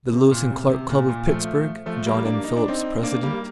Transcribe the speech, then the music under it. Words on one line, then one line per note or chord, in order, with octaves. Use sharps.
The Lewis and Clark Club, of Pittsburgh, John M. Phillips, President.
C3
A#2
C3
C3
A#2
A#2
F3 A3
F3 A3
G3 A#3
A#3 D4
D#4
D4
C4 D#4
A#3 D4
G3 A#3